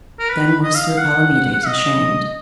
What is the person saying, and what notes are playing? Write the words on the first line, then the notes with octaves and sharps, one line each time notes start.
Then was Sir Palomides ashamed.
A#4
B4
D#5
F5
F#5
D#5